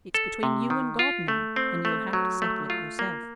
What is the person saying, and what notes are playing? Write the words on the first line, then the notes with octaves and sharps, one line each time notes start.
It's between you and God now, and you'll have to settle it yourself.
A4
C3
D#3
F4
A3
C4
A3
F#3
A3
F4
A#3